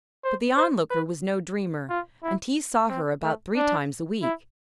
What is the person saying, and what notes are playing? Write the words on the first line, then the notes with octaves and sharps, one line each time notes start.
But the Onlooker was no dreamer, and he saw her about three times a week.
C5
C5
B4
F4
E4
C4
A3
D4
E4